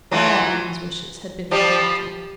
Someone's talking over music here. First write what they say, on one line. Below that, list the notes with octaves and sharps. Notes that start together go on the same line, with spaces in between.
All Anne's wishes had been for the latter.
E3 F#3 F4
F3 G3 G4